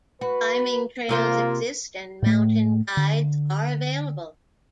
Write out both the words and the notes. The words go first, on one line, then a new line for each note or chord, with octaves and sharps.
Climbing trails exist and mountain guides are available.
F#4 B4
C3 A#3 F4 C5
A2 A3
D3